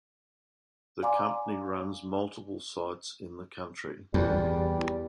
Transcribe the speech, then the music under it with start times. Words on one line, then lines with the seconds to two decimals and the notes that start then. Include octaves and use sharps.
The company runs multiple sites in the country.
1.02 D5 F5 G#5 A#5 C6 D6
4.14 E2 G3